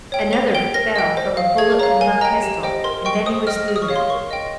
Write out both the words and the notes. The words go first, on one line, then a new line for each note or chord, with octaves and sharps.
Another fell from a bullet from her pistol, and then he was through them.
C#5 G5
C5 F7
G5 G7
A#4 A#6
D#5 G5
C5
F5
G#4 G#6
C#5 F5 A#5
A#4 G#5
D#5 G5 A#5
G4
C5 D#5 G5
A#4 C6
D#5 G5 C#6
C5 D#6
D#5 G5 F6
G#4 F6
D#6
C#6
C#5 F5
C6
A#4 C#6
D#5 G5